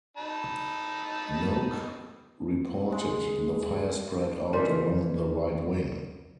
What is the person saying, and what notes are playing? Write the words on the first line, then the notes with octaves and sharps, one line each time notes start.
Knoke reported: The fire spread out along the right wing.
D#4 A5 B5
G#3
C#3 E3 B3 F4 A#4 D5 E5